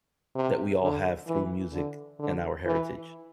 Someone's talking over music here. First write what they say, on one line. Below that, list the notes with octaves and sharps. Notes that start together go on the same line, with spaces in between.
that we all have through music and our heritage.
C3
D3
E3
D3
D3
E3